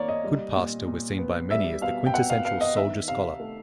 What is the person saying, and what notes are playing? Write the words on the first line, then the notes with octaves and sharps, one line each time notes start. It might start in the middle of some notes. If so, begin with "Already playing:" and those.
Goodpaster was seen by many as the quintessential "soldier-scholar".
Already playing: D#3 A#3 C#5 D5
D#5
G3
A#2
A#2
B3
G3 E5
B2 F5
G5
B2 F#5
F5
B3 F5
D#5
D#3 E5
C3 F5
A3